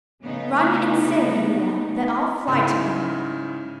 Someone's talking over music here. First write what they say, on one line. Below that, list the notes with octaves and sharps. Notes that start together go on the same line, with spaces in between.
Run and say, Yulia, that I'll fly to her.
C#3 A3 B3 D#4
G#2 C#3 C#4 E4